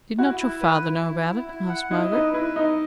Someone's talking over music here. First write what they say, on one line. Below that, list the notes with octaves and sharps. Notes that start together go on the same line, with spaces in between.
'Did not your father know about it?' asked Margaret.
E4 F#4
E4
B4
E4
E4
E4
E4
F#5
E4 D#5
D#4 B4
E4 B4
D#4 D#5